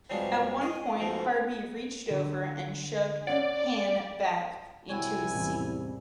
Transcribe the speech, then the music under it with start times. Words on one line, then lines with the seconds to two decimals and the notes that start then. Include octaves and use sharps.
At one point, Harby "reached over" and shoved Hahn back into his seat.
0.10 G2 C3 F#3 G#3 D4 F4
0.61 G#4 D#5
0.98 G#2 B2 F3 A3
2.10 D3
3.27 C#4 C#5 D5 F#5
4.90 C2 C4 E4 F#4 C#5 G#5
5.34 A1 E2